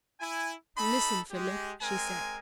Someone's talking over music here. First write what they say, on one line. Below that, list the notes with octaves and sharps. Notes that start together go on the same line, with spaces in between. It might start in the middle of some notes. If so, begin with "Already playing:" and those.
"Listen, Philip," she said.
E4 G#5
D#4 A4 B5
G#3 G4
G#3 C4 A#4 G#5